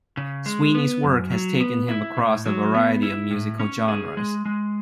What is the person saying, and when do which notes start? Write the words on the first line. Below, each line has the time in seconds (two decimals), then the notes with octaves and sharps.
Sweeney's work has taken him across a variety of musical genres.
0.17 C#3
0.46 G#3
0.75 B3
1.03 F#2
1.31 F#3
1.60 B3
1.89 E4
2.17 A2
2.46 F#3
2.74 B3
3.03 E4
3.31 A2
3.60 C#4
3.88 G#4
4.17 G#3
4.46 G#3